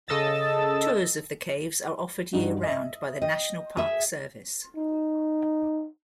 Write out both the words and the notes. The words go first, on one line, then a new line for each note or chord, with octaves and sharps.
Tours of the caves are offered year round by the National Park Service.
C#3 A4 D#5 E6 A6
G2 D#4 F#4
D#5 E5
D#5 G5
G#4 E5
D#4